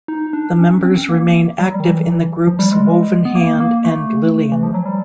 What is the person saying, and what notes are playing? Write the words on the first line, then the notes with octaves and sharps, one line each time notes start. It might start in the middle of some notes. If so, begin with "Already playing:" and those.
The members remain active in the groups Woven Hand and Lilium.
D#4
D4
C#4
C4
A#3
G3
F#3
G3
D#3
E3
F3
G3
G#3
B3
A#3
A#3
A3
E3
F3
F#3
G3